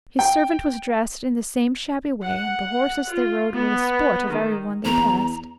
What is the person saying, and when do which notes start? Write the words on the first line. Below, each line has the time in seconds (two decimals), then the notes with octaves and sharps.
His servant was dressed in the same shabby way, and the horses they rode were the sport of everyone they passed.
0.19 G5
2.21 F#5
3.08 F4
3.53 B3
4.29 D#3
4.85 E2 A#5